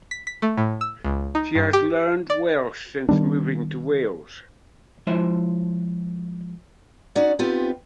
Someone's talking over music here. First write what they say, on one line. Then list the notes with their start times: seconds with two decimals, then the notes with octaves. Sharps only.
She has learned Welsh since moving to Wales.
0.11 B6
0.27 B6
0.42 A3
0.57 A2
0.81 E6
1.05 C#2
1.35 D#4
1.55 G2
1.73 G4
2.30 D5
3.09 D#3 G3 B3 D4
5.07 F3 G#3 E4 C5 E5
7.15 C#4 D#4 F#4 D5 F#5
7.39 B3 C4 D#4 F4 G4